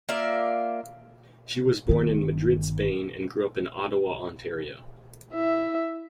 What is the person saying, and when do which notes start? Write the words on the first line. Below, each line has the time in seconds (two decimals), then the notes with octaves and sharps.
She was born in Madrid, Spain, and grew up in Ottawa, Ontario.
0.09 A#3 F4 D5 E5
1.89 G1 D#3
5.33 E4 E5